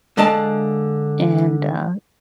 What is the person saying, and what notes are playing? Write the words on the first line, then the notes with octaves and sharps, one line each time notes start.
And, uh,
D3 G#3 D4 D#5 F5 A5